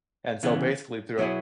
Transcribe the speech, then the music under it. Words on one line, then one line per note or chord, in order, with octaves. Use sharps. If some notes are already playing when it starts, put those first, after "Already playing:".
And so basically throughou
C#3 E3 B3
B2 F#3 B3 E4 G#4